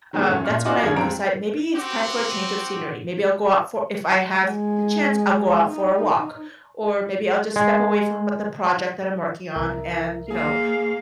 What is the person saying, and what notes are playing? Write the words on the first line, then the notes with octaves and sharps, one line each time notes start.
Um, that's when I decide, maybe it's time for a change of scenery. Maybe I'll go out for if I have the chance, I'll go out for a walk. Or maybe I'll just step away from the project that I'm working on, and, you know,
D#3 F#3 G#3 B3
F2 A3 C#4
A#2 F6
A#3 F4 F#4 D5 D#5 G#5
G#1 F#2 D3 G3 G#6
F2 C4 A#5 D7
C4 F#4 G4
G#3
D#4
G#3
C2 A#2 A#4 E5
G#2 A#3 G#4 F5